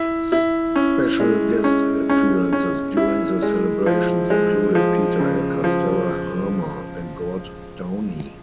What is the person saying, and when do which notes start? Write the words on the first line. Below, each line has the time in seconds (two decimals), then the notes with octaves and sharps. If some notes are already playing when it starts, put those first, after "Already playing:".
Special guest appearances during the celebrations included: Peter Elkas, Sarah Harmer and Gord Downie.
Already playing: E4
0.32 E4
0.76 C#4
1.20 G#3
1.64 C#4
2.09 C#4
2.53 C#4
2.97 E4
3.42 G#3
3.86 F3
4.30 G#3
4.75 F3
5.19 C#3
5.64 F3